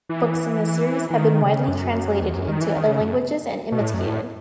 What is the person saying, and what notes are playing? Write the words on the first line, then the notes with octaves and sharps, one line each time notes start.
Books in the series have been widely translated into other languages and imitated.
E3
E3
D#3
C#3
F#2
E2
F#2
D#3
E3
D#3
C#3
F#2
B2
A2
F#2
A2